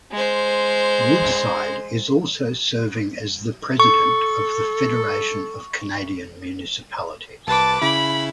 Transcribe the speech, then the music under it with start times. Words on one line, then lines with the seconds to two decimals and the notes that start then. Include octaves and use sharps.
Woodside is also serving as the President of the Federation of Canadian Municipalities.
0.12 G#3 C5
3.80 A4 C#6
7.47 C2 B4 A5 D6
7.82 C#3 E4 B5